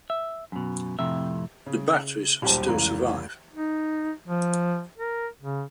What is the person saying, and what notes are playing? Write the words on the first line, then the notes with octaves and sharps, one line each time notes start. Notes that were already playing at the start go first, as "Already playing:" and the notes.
The batteries still survive.
E5
F#2 B2
F2 A2 C3 E5
C#3
D#1 B1 G3 C5 A5
F1 C#2 E3 A#3 A#5
D#4
F3
A#4
C#3